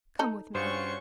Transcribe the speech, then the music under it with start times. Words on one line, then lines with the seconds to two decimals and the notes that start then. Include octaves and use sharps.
Come with me.
0.19 D#4 A4
0.55 G2 C#4 F4 F#4 C5 C#6